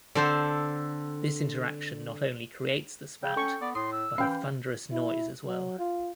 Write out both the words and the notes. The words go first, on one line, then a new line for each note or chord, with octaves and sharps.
This interaction not only creates the spout, but a thunderous noise as well.
D3 C4 A4 C5 A5 C6
C#3 G5
C#4 A4 C#6
B3 D5
A2 C6 D#6
E6
E3 C#4 F5 G5
E4
F#3
F4